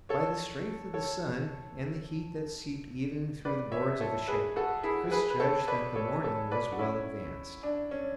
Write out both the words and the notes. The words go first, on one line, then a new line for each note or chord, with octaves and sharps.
By the strength of the sun and the heat that seeped even through the boards of the ship, Chris judged that the morning was well advanced.
A4 C#5
A4 C#5
B4 D5
C#5 E5
A4 C#5
G#4 B4
F#4 A4
E4 G#4
G#4 B4
B4
A4 C#5
B4 D5
A4 C#5
A4 C#5
B4 D5
F#4
C#4 E4
D4
C#4